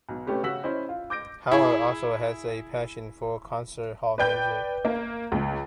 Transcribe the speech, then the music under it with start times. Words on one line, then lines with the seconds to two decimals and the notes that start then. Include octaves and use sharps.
Howard also has a passion for concert hall music.
0.09 B1 B2
0.27 C3 A3 C#4 G4 B4
0.43 C#3 F#4 E6 B6 F#7
0.63 C#4 E4 C5 D#5
0.89 F4
1.10 D6 G6 A#6 D7
1.51 E4 G#4
4.18 B4 D5 G5 G6
4.85 A#3
5.32 C#2